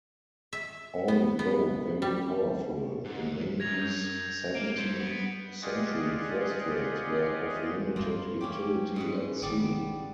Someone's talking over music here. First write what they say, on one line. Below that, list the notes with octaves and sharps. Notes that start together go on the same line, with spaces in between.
Although very powerful, the Navy's seventeenth century first-rates were of limited utility at sea.
E5
B3
B3
G3
G#2
C#2 F#2 G#6 A#6 F7
G6
A#3 D7
A4 C5
B3
F4 G4 G#4 D5 D#5 F#5
G2 F#3 A#3 F4
A#3 C#4 G4
G#2 G#3 B4
G#1 D#3 G3 B3 D5